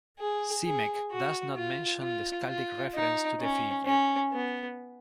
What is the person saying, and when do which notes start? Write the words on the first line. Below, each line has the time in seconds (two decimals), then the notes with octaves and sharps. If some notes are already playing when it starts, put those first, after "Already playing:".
Simek does not mention the skaldic reference to the figure.
0.20 G#4
0.65 G#4
1.11 F#4
1.56 F4
2.02 F4
2.48 F4
2.94 D#4
3.41 C#4
3.86 C#4
4.32 B3